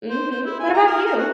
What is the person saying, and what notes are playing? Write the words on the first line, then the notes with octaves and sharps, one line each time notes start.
Mhm. What about you?
C5
C5
E4
G#5
A#5
A#4
A#4
F#4